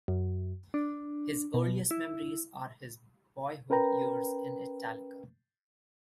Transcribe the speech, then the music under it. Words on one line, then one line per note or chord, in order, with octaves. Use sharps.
His earliest memories are his boyhood years in Italica.
F#2
D4
B2
E4
C#4 A#4 B4 G5 A#5